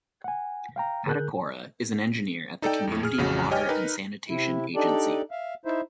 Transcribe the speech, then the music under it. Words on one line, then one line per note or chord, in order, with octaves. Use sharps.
Atakora is an Engineer at the Community Water and Sanitation Agency.
F#5 G#5
F5 G5 A#5
D3 G#4 A#4 F#6 G6
D#4 A4 D5 G5
F2 A2
G#4 F6
A1 F2 C#3 F#4
G4 C#5 D#5 G5 G#5 F6
D#4 A#4 B4
C3 E4
D4 D#4 G4 A4 D5
E5 F5
D#4 E4 C5 E5